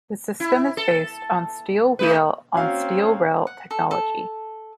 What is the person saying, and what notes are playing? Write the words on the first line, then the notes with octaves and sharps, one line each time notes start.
The system is based on steel wheel on steel rail technology.
E4
A4
A3 D#4 B4
A#3 C4 C#4 F#4 F5
F#5
A4
A4